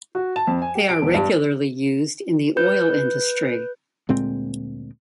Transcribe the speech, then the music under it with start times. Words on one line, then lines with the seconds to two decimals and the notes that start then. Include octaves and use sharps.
They are regularly used in the oil industry.
0.15 F#4
0.36 A5
0.47 F2
0.62 G#5
0.75 G4
0.89 D7
1.02 E1
1.14 G2
2.57 B4 G6
4.09 D2 A#2 G#3 C4